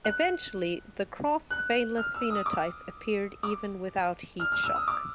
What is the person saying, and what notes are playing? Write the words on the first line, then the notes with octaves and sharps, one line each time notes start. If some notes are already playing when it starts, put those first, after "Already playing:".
Eventually, the crossveinless phenotype appeared even without heat shock.
F#6
F#6
F6
E6
D#6
D6
D6
F6
F6
E6
D#6
D6